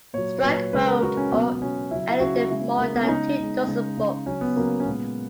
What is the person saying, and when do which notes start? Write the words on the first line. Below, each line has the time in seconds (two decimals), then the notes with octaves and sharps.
Stryk wrote or edited more than two dozen books.
0.13 A#2 F#3 C#5
0.38 C#5
0.43 A#2 F#3 B4
0.73 C#3 G#3 B4
0.87 A#4
1.02 C#3 G#3 F#4
1.17 C#4
1.32 B2 F#3 B3
1.53 B3
1.61 B2 F#3 C#4
1.91 C#3 F#3 E4
2.11 E4
2.20 C#3 F#3 F#4
2.35 F#4
2.49 C#3 G#3 E4
2.79 C#3 G#3 A#3
2.94 B3
3.03 C#4
3.08 C#3 G#3 D#4
3.39 C#3 G#3
3.67 C#3 G#3
3.97 C#3 G#3
4.26 C#3 F#3 C#4
4.41 B3
4.56 C#3 F#3 A#3
4.80 C#4
4.85 A#2 G#3 B3